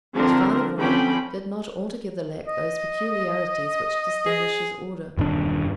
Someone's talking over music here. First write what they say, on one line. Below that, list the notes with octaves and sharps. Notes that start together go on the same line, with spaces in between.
Yet Father Vaughan did not altogether lack those peculiarities which distinguish his order.
D3 F3 C4 D4 A#4
D3 F3 C4 C#4 G5 B5
D#5
G#4
E1 G2 D#3 D4